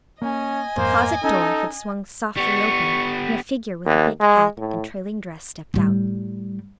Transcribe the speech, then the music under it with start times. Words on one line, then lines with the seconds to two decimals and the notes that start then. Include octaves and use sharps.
The closet door had swung softly open, and a figure with a big hat and trailing dress stepped out.
0.22 A#3 C#4 D#5 G#5
0.77 F2 G#2 A#3 C5
1.24 C#4 D#4 A4
2.37 G3 B3 C#6
3.85 D#2
4.20 G#3
4.57 A2
5.74 A2 G3